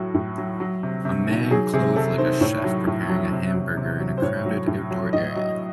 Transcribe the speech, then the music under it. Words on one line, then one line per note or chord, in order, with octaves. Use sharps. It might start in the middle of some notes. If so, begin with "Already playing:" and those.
A man clothed like a chef preparing a hamburger in a crowded outdoor area.
Already playing: A2 F#3 F#4
A2
F#3
F#3
C3
C3
D#3
F#3 G#4
C3 G#4
C3 A4
D#3 C5
A2 C#5
F#3
A2
F#3
C3
F#3
C3
F#3
C5
A2 C#5
F#3
A2
F#3
A2 D#5
F#3